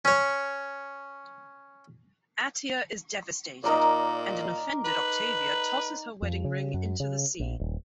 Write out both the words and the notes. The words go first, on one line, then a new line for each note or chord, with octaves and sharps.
Atia is devastated, and an offended Octavia tosses her wedding ring into the sea.
C#4 C#5
A#2 D#4 A#4 D5
B4
F2
C#3
F#2
C#3
A#1
D#1